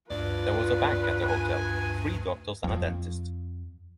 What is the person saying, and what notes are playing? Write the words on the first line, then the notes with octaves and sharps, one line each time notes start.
There was a bank and a hotel, three doctors and a dentist.
D2 G2 F4 B4 D5
G#5
F2